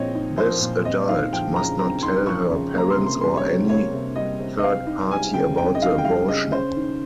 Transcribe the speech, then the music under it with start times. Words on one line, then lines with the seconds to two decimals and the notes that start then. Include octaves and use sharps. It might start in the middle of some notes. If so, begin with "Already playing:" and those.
This adult must not tell her parents or any third party about the abortion.
Already playing: A#2 F3 C4 C#5 D#5
0.15 D#4
0.37 F3 C5
0.61 A#2
0.84 C4 D#5
1.09 D#4 F5
1.33 F3 G5
1.55 C#3 A#5
1.79 C4 A#5
2.03 D#4 C6
2.26 F3 C#6
2.50 C#3
2.74 A#3 A#5
2.90 C6
2.97 C3
3.06 C6
3.21 G3 C6
3.37 C#5
3.45 C3
3.69 A#3 C#5
3.93 C3
4.16 G3 D#5
4.40 C3
4.59 D#5
4.63 C4 F5
4.87 D#4
5.11 G3 G#5
5.34 C#3 G5
5.57 C4 G5
5.75 D#5
5.82 D#4 F5
5.98 G5
6.05 G3 F5
6.28 C#3 D#5
6.52 C#4 C5
6.77 D#3